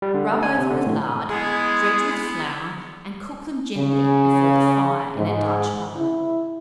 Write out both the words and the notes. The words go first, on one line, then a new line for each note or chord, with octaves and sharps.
Rub over with lard, dredge with flour, and cook them gently before the fire in a Dutch oven.
G3
D3
A3
G#5
C3
D3
A2
G#3 B3 E4 G#4
C#3
G#2
E4